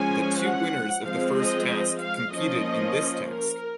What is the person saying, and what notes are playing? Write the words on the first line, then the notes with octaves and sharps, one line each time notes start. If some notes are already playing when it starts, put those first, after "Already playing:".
The two winners of the first task competed in this task.
Already playing: F3 G#3 C#4 G#5
F#5
F3 G#3 C4 F5
D#5
D#5
F5
F3 A#3 C#4 D#5
A#4